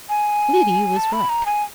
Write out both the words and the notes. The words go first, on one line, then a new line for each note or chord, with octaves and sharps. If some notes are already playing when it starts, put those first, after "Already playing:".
Liddy was right.
G#5
A5
B5
A#5
G#5